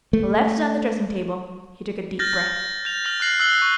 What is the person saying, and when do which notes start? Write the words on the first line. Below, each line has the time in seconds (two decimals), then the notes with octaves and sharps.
"Left it on the dressing-table." He took a deep breath.
0.13 A3
2.19 F6 G6 A6 A#6
2.85 G6 F7
3.05 F6 A#6 F7
3.20 F6 F#6 C7 F#7
3.40 E6 F#6 C7 F#7 G7
3.62 C#6